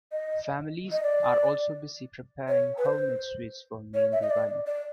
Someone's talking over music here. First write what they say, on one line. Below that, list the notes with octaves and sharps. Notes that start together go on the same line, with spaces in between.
Families are also busy preparing homemade sweets for main Diwali.
D#5
D#5
D5
C#5
B4
C5
C#5
E5
D#5
D5
D5